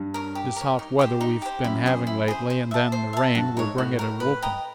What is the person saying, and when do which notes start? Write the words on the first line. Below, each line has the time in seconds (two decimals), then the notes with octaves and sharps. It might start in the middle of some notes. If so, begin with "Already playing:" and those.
This hot weather we've been having lately, and then the rain, will bring it a-whooping.
Already playing: G2
0.14 A#4 C#5
0.35 G4
0.56 A#4 C#5
0.79 D#4
0.99 G4 C5
1.21 D#4
1.42 G4 C5
1.64 F#2 E4
1.86 G#4 C5
2.07 E4
2.28 G#4 C5
2.50 C5
2.71 E5 A5
2.92 C5
3.13 E5 A5
3.35 G2 F#4
3.57 G#2 A#4 C#5
3.78 A2 F#4
3.99 A#4 C#5
4.20 B4
4.42 D#5 G5 A#5